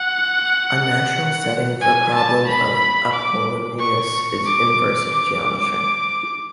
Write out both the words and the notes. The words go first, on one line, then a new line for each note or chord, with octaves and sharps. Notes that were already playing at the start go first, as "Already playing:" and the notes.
A natural setting for problem of Apollonius is inversive geometry.
Already playing: F#5
G#5
A5
B5
D6
C#6
D6
D6